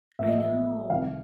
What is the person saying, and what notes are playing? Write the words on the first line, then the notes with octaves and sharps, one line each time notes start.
I know.
A1 A2 F3 E5
D#5
E5
C2 C3 D#3 F5